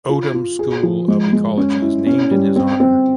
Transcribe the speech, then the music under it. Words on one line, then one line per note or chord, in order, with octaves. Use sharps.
Odum School of Ecology is named in his honor.
F4
F4
G#4
F3
G#3
G#3
C#4
E4
C#4
G3
C4
C4